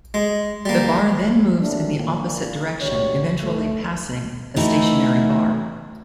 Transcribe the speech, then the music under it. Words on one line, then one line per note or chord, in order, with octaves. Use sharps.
The bar then moves in the opposite direction, eventually passing a stationary bar.
G#3
G3 A#3
C3 E3 F#3 A3 D4
A#2
G2 B2 D3 G3 C#5
A3
E3 A3 D#4 E4 F#4